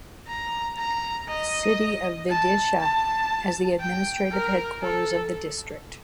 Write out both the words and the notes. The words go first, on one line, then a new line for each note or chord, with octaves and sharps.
The city of Vidisha as the administrative headquarters of the district.
A#5
A#5
D#5
A5
A5
G5
A#4
A4